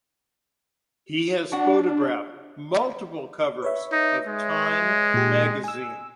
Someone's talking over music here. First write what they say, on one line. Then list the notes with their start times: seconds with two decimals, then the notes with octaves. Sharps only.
He has photographed multiple covers of "Time" magazine.
1.52 D4 F#4 F#5
3.62 B4 C#5 E5
3.92 D#4
4.27 G#3
5.14 A#2 G4
5.64 G#5 E6